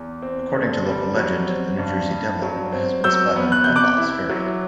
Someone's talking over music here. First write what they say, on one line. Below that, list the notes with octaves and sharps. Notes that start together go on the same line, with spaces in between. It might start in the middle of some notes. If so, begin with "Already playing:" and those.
According to local legend, the New Jersey Devil has been spotted by Ball's Ferry.
Already playing: E2
C4
D3
G3
F#3
C4
G2
G2
F#3
C4
F#3 E6 G6
B3
F#6
C3 G6
D6 F#6
E4
F#3